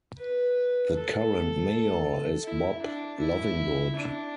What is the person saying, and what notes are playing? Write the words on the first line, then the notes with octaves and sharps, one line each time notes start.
The current mayor is Bob Lovingood.
B4
A4
E4
D4
E4
D4